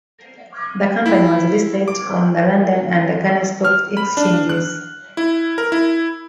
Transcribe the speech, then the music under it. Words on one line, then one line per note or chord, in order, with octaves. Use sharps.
The company was listed on the London and Ghana stock exchanges.
E4
D6
F6
B5
D4
F#6
E4
A#4
E4